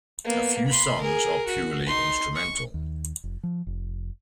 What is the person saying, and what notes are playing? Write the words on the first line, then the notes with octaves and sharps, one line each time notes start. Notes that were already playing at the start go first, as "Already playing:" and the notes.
A few songs are purely instrumental.
A#3 B3
B5 C6
G#4 A#4
F#4
D#4 C6
C#6
D#2
F1
F3
F1